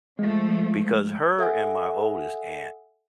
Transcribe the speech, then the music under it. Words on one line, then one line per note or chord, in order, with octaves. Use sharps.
because her and my oldest aunt
F3 G#3 A3
A4 E5 F#5 G#5